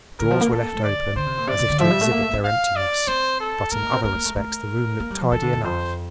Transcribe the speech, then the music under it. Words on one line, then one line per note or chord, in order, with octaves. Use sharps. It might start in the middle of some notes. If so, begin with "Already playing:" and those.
Drawers were left open, as if to exhibit their emptiness, but in other respects the room looked tidy enough.
D3 A#4
F3
A#3
C4 A4
A#3
A3
D3 D5
D3 C5
C3
A#2
C3 D5
C3
D3
F3 E5
G3
A3
A#3
A3
C4
F5
D5
C4 C5
A4
A#3 A#4
A#3
C4
A#3 A#4
A#3
A3
A3 A#4
A#3
G3
F3
E3 A4
D3
E2
F2 C5